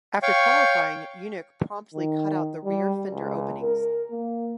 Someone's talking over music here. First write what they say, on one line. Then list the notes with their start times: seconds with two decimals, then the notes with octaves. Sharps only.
After qualifying, Yunick promptly cut out the rear fender openings.
0.23 C#5 F5 G5 C#6
1.94 D#3
2.65 G3
3.11 C#2
3.63 A#4
4.11 A#3